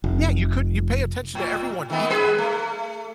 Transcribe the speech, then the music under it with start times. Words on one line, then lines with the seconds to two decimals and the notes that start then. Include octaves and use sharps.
Yeah, you couldn't you pay attention to everyone equally.
0.04 F1
1.35 A2
1.90 D#3 A3 B3
2.10 G3 G#4 B4
2.38 A3